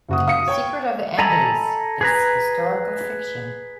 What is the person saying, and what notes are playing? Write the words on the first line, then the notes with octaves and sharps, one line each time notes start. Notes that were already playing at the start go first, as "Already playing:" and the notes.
"Secret of the Andes" is historical fiction.
F#1 F#4 D#6
F5 D#6 C#7
C#5 G5
A4 D#5 G#5 A#5 B5
G#4 B4 A#5